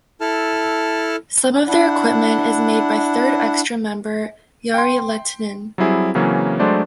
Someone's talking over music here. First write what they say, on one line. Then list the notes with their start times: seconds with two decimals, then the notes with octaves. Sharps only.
Some of their equipment is made by third "extra" member Jari Lehtinen.
0.21 E4 A4 A5 F6
1.68 D4 E4 F#5
4.74 G5 C6
5.78 F#3 G3 C4 E4 G#4
6.15 C#3 E3 F#3 A#3 C4 C#4
6.59 F#3 G#3 A3 D4 C5 D5